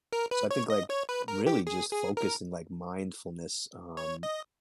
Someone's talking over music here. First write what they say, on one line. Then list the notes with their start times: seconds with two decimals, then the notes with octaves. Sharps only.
so I think, like, really just focusing like mindfulness, um,
0.13 A#4
0.31 B4
0.51 C#5
0.70 D#5
0.90 C#5
1.09 B4
1.28 A#4
1.46 G4
1.67 G#4
1.92 G#4
2.17 A#4
3.97 C#5
4.23 D#5